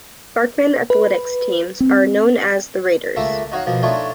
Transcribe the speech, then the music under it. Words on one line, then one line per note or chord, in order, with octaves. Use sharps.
Sparkman athletics teams are known as the Raiders.
B4
C4
C#2 A3 A#3 E5
D#4 F#4 C#5 F5
B2 F3 A#3
A3 D4 D#4 F4 C#5